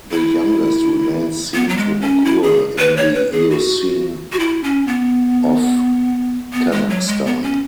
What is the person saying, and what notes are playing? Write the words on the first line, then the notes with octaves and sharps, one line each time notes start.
The youngest remains seem to occur in the Eocene of Kazakhstan.
E4
B3
F#3
G#3
C#4
E4
G#4
B4
C#5
B4
G#4
F#4
F#4
E4
C#4
B3
B3
G#3
F#3
G#3
B3
C#4